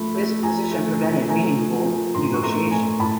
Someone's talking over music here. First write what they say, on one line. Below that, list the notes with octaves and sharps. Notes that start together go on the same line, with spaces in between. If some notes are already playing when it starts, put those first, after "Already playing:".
This position prevented meaningful negotiation.
Already playing: F3 A3 B5
A3
F3 G#5 A#5
A3
A#2
A3 G#5 A#5
F3
F3
A2 A#5 C6
C#6
A3 A#5 C6
A3 G#5 A#5
A2 A5 B5